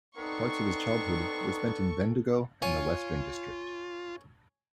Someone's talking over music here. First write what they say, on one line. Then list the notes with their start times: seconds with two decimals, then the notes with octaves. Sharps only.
Parts of his childhood were spent in Bendigo and the Western District.
0.17 B3 C4 D#4 A4 D5 C#6
2.62 F4 C#5 G#5